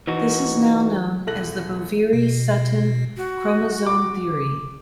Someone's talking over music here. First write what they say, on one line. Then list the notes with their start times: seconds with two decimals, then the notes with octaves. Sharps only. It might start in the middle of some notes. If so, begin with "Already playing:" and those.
This is now known as the Boveri-Sutton chromosome theory.
0.07 E3 D#4 F#4
1.27 E1 A3 A4 F#6 A#6 F#7
2.13 B2
3.17 F#4
3.87 D6